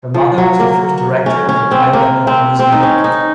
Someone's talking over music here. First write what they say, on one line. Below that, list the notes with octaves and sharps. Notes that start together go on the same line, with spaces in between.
Her mother was the first director of the Tioga Point Museum.
F3
F#3
A#3
C#4
C#4
C4
A#3
C4
C4
D#4
C#4
D#4